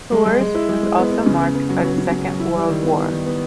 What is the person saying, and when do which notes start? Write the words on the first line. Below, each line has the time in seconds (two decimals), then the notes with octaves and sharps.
Tours was also marked by the Second World War.
0.12 G#3
0.26 G#3
0.41 G#3
0.55 E4
0.69 G#3
0.83 G#3
0.98 B3
1.11 B3
1.26 C#3
1.40 B3
1.55 B3
1.69 F#3
1.83 F#3
1.98 C#3
2.12 C#3
2.26 F#3
2.40 E4
2.55 G3
2.69 D#3
2.83 B3
2.97 B3
3.12 D#3
3.26 B3